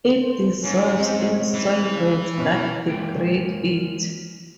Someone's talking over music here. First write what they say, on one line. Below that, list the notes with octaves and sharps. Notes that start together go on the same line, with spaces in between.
It "dissolves" in solvents that degrade it.
C5
G#2 C#4
C4 D#4
E3
C#3
B2 C#4 E4
E3 G#3 A#3 G5